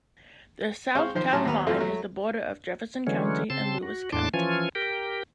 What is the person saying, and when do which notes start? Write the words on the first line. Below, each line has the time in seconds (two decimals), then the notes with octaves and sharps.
The south town line is the border of Jefferson County and Lewis County.
0.95 G#3 C4 C5 C#5 F5
1.15 D#3 F3 C5
1.33 A2 F#3 A5 C6
1.45 D#2 B3 A#5
1.67 F#2 E3 A3 C4 F4 A4
1.79 F#3 A3
3.07 D3 E3 F#3 G#3 C#4
3.50 C#3 C4 A5 C6
3.83 F#4
4.12 E2 A2 D4 A5 C6 D6
4.34 E3 F3 C#4 F4 G#5
4.75 G4 A#4 G5